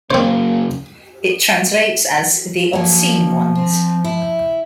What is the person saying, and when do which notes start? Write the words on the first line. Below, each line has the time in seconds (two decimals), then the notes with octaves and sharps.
It translates as 'The Obscene Ones'.
0.11 C#3 F#3 A#3 C4 C5
2.73 F3 F#3 A#3
3.55 C4
4.04 E4